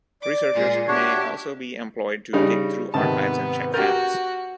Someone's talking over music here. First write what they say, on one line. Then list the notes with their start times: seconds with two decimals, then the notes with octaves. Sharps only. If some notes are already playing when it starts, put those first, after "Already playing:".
Researchers may also be employed to dig through archives and check facts.
0.22 D5 D6
0.54 A#2 G#3 G#4
0.88 D4 F#4 G4 C#5 E5
2.33 C#3 G3 D#4
2.94 G#2 C3 D#3 B3 A5
3.74 F#4 G4 A#4 G6 A6